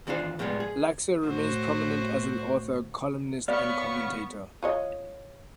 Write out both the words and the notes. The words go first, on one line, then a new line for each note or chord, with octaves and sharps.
Laxer remains prominent as an author, columnist and commentator.
D#2 E3 D4 F4 C5
A2 F3 G3 G#3 B3
G#4
A2 F#4 C5
B3 C#5 D5 F5 C#6
F4 C#5 D#5